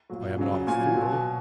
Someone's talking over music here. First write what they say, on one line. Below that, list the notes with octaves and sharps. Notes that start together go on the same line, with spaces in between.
I am not a fool.
A#2 F#3
C#3 F#3
A#2 F#3 G#5
B2 F#3